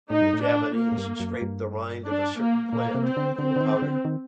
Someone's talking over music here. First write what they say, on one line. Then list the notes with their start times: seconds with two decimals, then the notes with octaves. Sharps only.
The Javanese scrape the rind of a certain plant into a powder.
0.10 A2 D#4
0.22 G2
0.33 A2
0.43 D4
0.76 A#3
0.92 A2
0.98 G2
1.20 F#2
1.41 G2
2.07 D4
2.40 A#3
2.73 A#2 A#3
2.95 C3
3.06 C4
3.17 D3
3.39 D3 C4
3.56 D3
3.60 D#3
3.82 D3
4.05 D#3